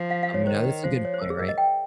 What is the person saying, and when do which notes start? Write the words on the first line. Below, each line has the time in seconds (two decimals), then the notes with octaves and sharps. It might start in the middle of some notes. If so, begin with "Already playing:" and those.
um, you know, that's a good point, right?
Already playing: F3
0.11 F5
0.23 F5
0.34 C#5
0.47 D#3 C5
0.84 F3 C5
1.05 C#5
1.14 C5
1.22 A#4
1.30 G#4
1.39 A#4
1.49 D#5
1.58 G5